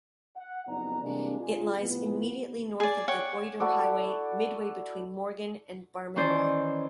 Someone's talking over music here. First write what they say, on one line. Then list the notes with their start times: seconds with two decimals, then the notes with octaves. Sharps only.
It lies immediately north of the Goyder Highway midway between Morgan and Barmera.
0.36 F#5
0.67 F#1 F2 B3 D#4 D5 A#5
1.03 C3 E3 G3 G#3 A#3 D4
1.39 F4 G#4
1.79 A2 C3 F3 B3
2.80 G#4 D5
3.08 C#5 F#5 G5 C#6
3.60 E4 F#4 A4 D5
6.16 D#3 E3 C#4 E4 C5 D5